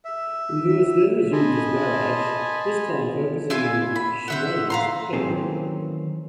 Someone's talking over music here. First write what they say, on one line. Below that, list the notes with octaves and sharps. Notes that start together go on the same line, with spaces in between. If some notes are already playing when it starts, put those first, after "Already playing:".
Louis then resumed his barrage, this time focusing on Schmeling's head.
E5
D#5 G#5 A5 B5 C6
E4 F4 E5 G#5
B5
C5 E5 F#5
F5 A#5 C6
D#3 E3 F#3 A#3 C4 C#4